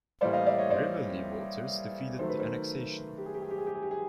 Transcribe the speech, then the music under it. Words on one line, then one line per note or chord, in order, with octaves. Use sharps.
Riverlea voters defeated the annexation.
A2 E3 G3 A#3 C5 D5
D#5 F5
D5 E5
C#5 D#5
C5 D5
D#3 F#3 A3 C5
B4
A#4 C5
G4
G#4
G4
G#4
G4
G#4
G4
G#4
G4
G#4